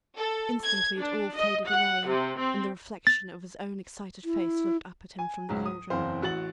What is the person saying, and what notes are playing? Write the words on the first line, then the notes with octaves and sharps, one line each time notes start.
Instantly it all faded away and the reflection of his own excited face looked up at him from the caldron.
A4
G#6
D4
D#5
F#5
C3
C4
A6
E4
G#5
C#2 G#2 F#3
D#6
F#1 E2 C4 C5 F5
A1 F#4 F#5 A6 F#7